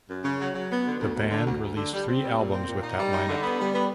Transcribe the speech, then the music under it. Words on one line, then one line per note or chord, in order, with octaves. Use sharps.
The band released three albums with that lineup.
F#2
C#3
F#3
F#3
B3
D3
D2
D2
D3
D2
D2
D3
G3
C4
G3
A#2
C4
A#2
D#4
G3
D#4
D3
B3
G3
B3